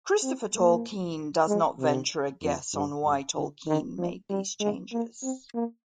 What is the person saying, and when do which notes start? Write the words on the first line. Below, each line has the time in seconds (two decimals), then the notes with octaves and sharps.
Christopher Tolkien does not venture a guess on why Tolkien made these changes.
0.23 C4
0.55 A#3
1.48 G#3
1.79 C3
2.42 F2
2.74 G2
3.04 G2
3.36 D3
3.67 D#3
3.98 F3
4.30 G3
4.60 G#3
4.92 A#3
5.22 C4
5.54 A#3